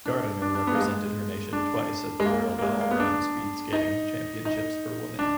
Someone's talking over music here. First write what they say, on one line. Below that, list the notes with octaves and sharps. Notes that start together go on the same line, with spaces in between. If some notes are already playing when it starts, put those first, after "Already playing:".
Gardiner represented her nation twice at the World Allround Speed Skating Championships for Women.
D4
D4
D4
B3
A#3
G#3
D4
G#3
A#3
A#3
G#3
A#3
B3
D4
D#4
D#4
D4